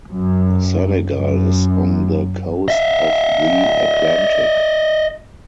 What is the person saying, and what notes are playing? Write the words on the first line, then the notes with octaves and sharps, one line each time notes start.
Senegal is on the coast of the Atlantic.
F#2
F#2
D#5 E5